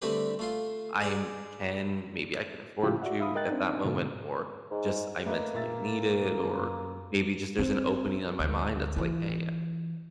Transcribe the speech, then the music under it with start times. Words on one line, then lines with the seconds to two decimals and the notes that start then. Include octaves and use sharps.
I'm can maybe I can afford to, at that moment, or just I mentally need it, or maybe just there's an opening on my mind that's like "hey,
0.02 D3 G3 A3 C4 G4 B4
0.39 A3 F4 C6
1.02 G#4 D5
2.83 A2 C#3 F3 E4 F4 G4
3.02 F#4 D5 E5 F#5
3.20 E5 F5 B5 D#6
3.35 A#4 D#5 G5 F#6 A6
3.49 C4 D4 D#4
3.85 G#2 B2 D3
4.71 G#2
5.26 A3 A#3 B4 D#5
5.54 A#2 E5 A6
6.32 F#2
7.59 C4
8.39 D2
8.96 E3 F4